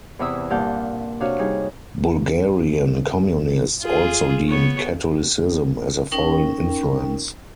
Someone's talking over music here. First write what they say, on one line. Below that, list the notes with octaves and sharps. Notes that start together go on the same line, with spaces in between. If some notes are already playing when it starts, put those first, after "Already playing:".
Bulgarian communists also deemed Catholicism a foreign influence.
E2 C3 E3 E5 D#6
G2 A#2 F5 F#5 A5 G6
C3 D4 F#4 C#5 F5
G3 D#4 G#4
F4 G#4
B3 C#5
C#4 D#4 A#4 G5